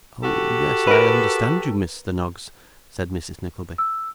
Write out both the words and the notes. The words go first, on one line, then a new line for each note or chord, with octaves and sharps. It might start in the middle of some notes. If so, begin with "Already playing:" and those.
'Oh yes, I understand you, Mr Noggs,' said Mrs Nickleby.
F#4 G4 A4
A#4 B4
E6